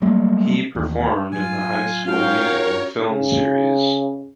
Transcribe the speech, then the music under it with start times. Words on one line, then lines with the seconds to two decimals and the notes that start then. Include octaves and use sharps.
He performed in the "High School Musical" film series.
0.02 F#3 G3 A3 A#3
0.75 A1 D#2
1.32 A2 F#3 F4 G#5
2.05 C#4 F4 F#4 A#4 C#5 F5 G5
3.10 C#3